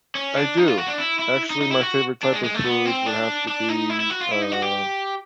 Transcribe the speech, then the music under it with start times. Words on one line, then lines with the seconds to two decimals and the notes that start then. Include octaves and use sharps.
I do. Actually, my favorite type of food would have to be, uh
0.15 C#4
0.36 D4
0.57 D#4
0.68 F4
0.78 F#4
0.88 D4
0.98 E4
1.19 E4
1.50 D#4
1.61 D#4
1.71 E4
1.81 F#4
2.23 D4
2.33 G#3
2.44 G#3
2.54 A3
2.65 B3
2.85 C4
3.06 D4
3.48 D4
3.69 D#4
3.90 E4
4.00 E4
4.10 F#4
4.21 F4
4.31 E4
4.42 D#4
4.52 F#4
4.62 G4